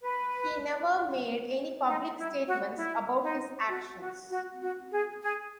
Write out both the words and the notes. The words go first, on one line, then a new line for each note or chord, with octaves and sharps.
He never made any public statements about his actions.
B4
D#4
E4
F#4
E4
D#4
F#4
F#4
F#4
F#4
G#4
G#4